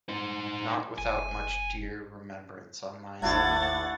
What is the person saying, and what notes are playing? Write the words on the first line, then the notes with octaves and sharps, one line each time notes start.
Not without much dear remembrance on my side.
D#4 C5
F#1 G#5
G1 D#2 A3 D4 E4 F#5 G#6 A6